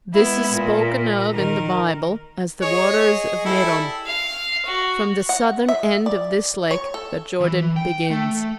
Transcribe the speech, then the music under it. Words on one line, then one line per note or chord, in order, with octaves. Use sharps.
This is spoken of in the Bible as "the waters of Merom." From the southern end of this lake the Jordan begins.
G#3 B3 E4
A#2
D#3 A#4
G#4 C#5 D#5
G3 E4 A4
F5
F#4
F#5
E5
D5
C#5
A4
E3
G5
A3